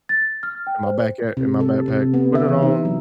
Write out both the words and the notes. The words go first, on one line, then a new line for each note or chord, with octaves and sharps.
in my back a in my backpack, put it on,
A6
F6
G5
C5
C3
A4
C3
B3
E5
E3
D#4
F#3